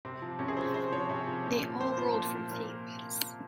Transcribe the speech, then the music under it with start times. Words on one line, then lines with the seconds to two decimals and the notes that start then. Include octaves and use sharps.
They all ruled from Thebes.
0.05 C3 C4
0.22 F3
0.39 C3 C#4
0.48 G#4
0.57 F3 C5
0.74 C3 C5
0.92 F3 C#5
1.10 C3
1.27 F3
1.46 A#2
1.63 F3
1.81 A#2 C5
1.98 F3 C5
2.15 A#2
2.34 F3
2.51 A#2 A#4